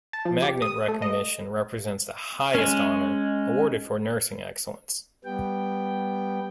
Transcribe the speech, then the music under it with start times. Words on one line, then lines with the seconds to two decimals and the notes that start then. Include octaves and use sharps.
Magnet recognition represents the highest honor awarded for nursing excellence.
0.13 A5
0.25 F3
0.42 G4
0.62 D#6
0.89 A3
1.02 D#5
2.55 G#3 C#4
5.25 G3 B3 G5